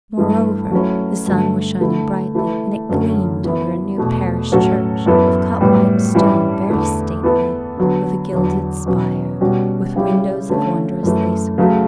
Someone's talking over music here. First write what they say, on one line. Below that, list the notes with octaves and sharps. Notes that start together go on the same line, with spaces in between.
Moreover, the sun was shining brightly, and it gleamed over a new parish church, of cut white stone, very stately, with a gilded spire, with windows of wondrous lacework.
G2 E3 A3
F#3 A3 C#4 E4
G2 D3 A3
D3 A3 E4
E3 A3 E4 A4
F#2 D3 F#3 A3 C#4
E3 B3 E4
E2 B2 A3
A2 F#3 C#4 F#4 A4
F#2 E3 B3 E4 A4
A2 E3 G3 B3
G2 E3 G3 C#4 E4
E2 D3 A3 E4
E3 B3 E4 A4
D3 F#3 B3
E2 D3 F#3
B2 F#3 C#4
B2 G3 C#4 F#4
C#3 G3 C#4 E4 G4
D3 A3 C#4
F#2 E3 A3
C#3 F#3 A3